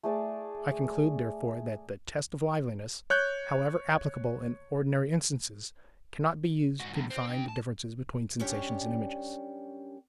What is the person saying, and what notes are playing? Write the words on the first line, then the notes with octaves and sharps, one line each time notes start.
I conclude therefore that the test of liveliness, however applicable in ordinary instances, cannot be used to define the differences between sensations and images.
A3 G#4 D5 A5
C#5 F#6 G6
G#2 F#4
E2 G2
C4
D4 G5
A5
F#2 G3 C#4 D4 G4 C#5